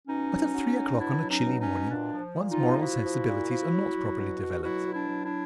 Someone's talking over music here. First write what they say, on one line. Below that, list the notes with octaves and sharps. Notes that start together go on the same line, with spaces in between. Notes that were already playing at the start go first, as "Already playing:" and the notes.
But at three o'clock on a chilly morning one's moral sensibilities are not properly developed.
B2 C#4 D#4
F#3
F#3
F#3
B2 D4 E4
F#3
C#4 D#4
B2
C#4 D#4
B2
A#2 D4
F3
A#2
D#4 F4
F3
F3 E4 F#4
F3
A#2
F3
F#3
F#3
B2
B2
F#3 E4 F#4
B2
D4 E4
F#3
D4 E4